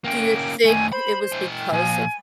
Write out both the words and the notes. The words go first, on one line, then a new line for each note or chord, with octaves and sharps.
Do you think it was because of
A#3 C#4 G5
D#3 A3 G#5
C5 B5
E3 G5
A#2 F3 G#5